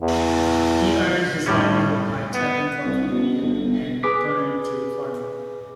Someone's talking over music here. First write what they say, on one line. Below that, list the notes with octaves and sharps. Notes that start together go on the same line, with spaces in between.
He earned his livelihood by trapping for a few years, then turned to farming.
E2
A2 G3 C#4
B3
C2
B2
G1
G1
G#4 B4 D6 B6